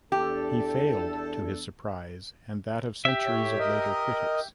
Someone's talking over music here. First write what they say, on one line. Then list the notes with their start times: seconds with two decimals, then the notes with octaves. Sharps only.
He failed, to his surprise and that of centuries of later critics.
0.12 E2 D4 G4 A4
3.05 G4 E5
3.25 A2 C#5
3.59 A#4 D#5